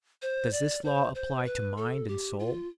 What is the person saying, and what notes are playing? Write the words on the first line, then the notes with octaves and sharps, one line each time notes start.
Does this law apply to mind and soul?
C5
D5
C5
C5
B4
A4
G4
F4